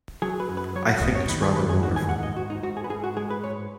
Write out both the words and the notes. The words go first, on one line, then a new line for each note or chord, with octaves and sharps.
I think it's rather wonderful.
F#3 G#4
B4
F#2
B4
F#3 C#5
F#5
F#2 D#5
C#5
D#3 B4
G#4
G#2 B4
G#4
D#3 F#4
G#5
G#2 F#5
D#5
G#2 F#4
D#4
G#2 F#4
G#4
B4
G#2 G#4
F#4
G#3 G#4
B4
G#2 C#5